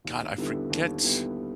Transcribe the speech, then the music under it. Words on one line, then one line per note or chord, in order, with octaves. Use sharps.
God, I forget
D#2
D3 G3 B3 E4
D#2
D3 G3 B3 E4